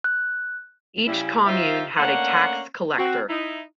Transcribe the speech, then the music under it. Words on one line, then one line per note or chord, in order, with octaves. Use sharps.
Each commune had a tax collector.
F#6
C#3 G3 E4
D#4 F4 G4 C5 E5 F5
A3 A#3 C#4 D4 F#5
C4 F#4
D#4 E4